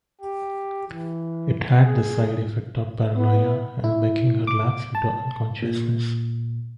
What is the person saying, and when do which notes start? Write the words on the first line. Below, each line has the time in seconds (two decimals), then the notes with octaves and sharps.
It had the side effect of paranoia and making her lapse into unconsciousness.
0.21 G4
0.90 E3
1.83 G#4
3.15 B3 E4
3.84 E4
4.47 D6
4.95 A5
5.62 A#2